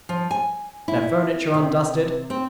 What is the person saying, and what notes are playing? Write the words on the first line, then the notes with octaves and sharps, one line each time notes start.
Their furniture undusted.
F3
G#5
E4
C3
C4